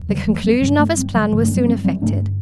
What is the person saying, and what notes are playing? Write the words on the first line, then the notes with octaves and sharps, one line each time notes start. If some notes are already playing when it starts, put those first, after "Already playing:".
The conclusion of his plan was soon effected.
Already playing: E2
D3 G3
E3 A3
G3 C4
G2 D3 G3 C4
A3 D4
G3 C4
D3 G3
G2 D3 E3 A3
A3 D4
G3 C4
G3 C4
G3 C4
G2 D3 A3 D4